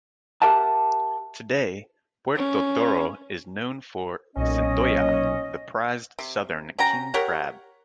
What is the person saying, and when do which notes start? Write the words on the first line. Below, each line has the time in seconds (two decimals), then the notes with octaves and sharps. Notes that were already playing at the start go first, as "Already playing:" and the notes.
Today, Puerto Toro is known for "centolla," the prized southern king crab.
0.42 G4 A#4 E5 F#5 A5
2.36 C#4
4.36 B1 A#2 C#4 D#5
6.19 C3
6.79 C#4 F#4 G5 A#5
7.14 G4 A#4 C#5 F#5